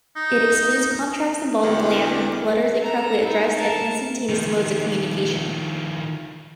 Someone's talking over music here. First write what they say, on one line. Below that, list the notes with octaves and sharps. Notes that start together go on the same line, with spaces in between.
It excludes contracts involving land, letters incorrectly addressed and instantaneous modes of communication.
D#4
E2 D3 G3
A4 A#5
D#4 E4
A#4 A5
D#3 F3